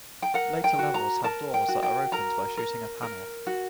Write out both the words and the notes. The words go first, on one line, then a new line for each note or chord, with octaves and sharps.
Later levels have doors that are opened by shooting a panel.
G5
A#4 F#5
G5
F#4
A#5
A#4 A5
G5
F#4
G5
A#4 A#5
A#4
A#4
F#4